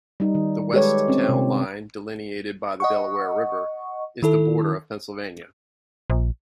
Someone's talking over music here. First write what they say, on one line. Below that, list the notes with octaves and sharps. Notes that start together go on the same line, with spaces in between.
The west town line, delineated by the Delaware River, is the border of Pennsylvania.
G3 D#4
D#3
G#3 G4 A4 B4 C#5
C4 C#4
C3
D#5 F#5 C#6
D#3 E4 A4
A#1